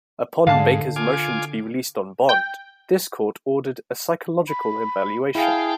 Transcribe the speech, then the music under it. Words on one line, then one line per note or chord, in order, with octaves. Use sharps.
Upon Baker's motion to be released on bond, this Court ordered a psychological evaluation.
G#2 D3 F5 A5
F4 G#5 D6
G5
B5
E4 G#4 F5 G5 A5